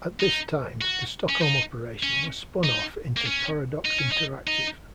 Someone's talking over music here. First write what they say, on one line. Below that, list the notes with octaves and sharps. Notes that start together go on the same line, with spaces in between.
At this time, the Stockholm operation was spun off into Paradox Interactive.
D#4
F#4
C#4
D#4
C#4
D#4
A#3
C#4
D#4
C#4
D#4
D#4